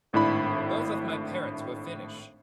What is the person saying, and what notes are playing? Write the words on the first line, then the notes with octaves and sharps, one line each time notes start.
Both of my parents were Finnish.
G#1 A2 D4 E4 B5